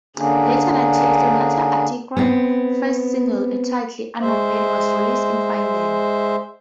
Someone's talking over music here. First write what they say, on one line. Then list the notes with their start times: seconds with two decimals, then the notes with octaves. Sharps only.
Later that year, Sonata Arctica's first single, entitled "UnOpened" was released in Finland.
0.17 D3 A#3 C#4 D4 G#4
2.17 B3 C4
4.21 G#3 C5 E5